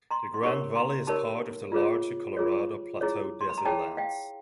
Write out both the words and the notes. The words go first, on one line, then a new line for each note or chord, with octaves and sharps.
The Grand Valley is part of the larger Colorado Plateau desert lands.
A#5 C6
C6
D#4 G4 A#4 C#5 B5 C#6
A#5 C6
D#4 G4 A#4 C#5 A5 B5
F4 G#4 C#5
F4 G#4 C#5
E4 G#4 C#5
C6
B5
A#5
E4 G#4 C#5 G5 A5
F5 G5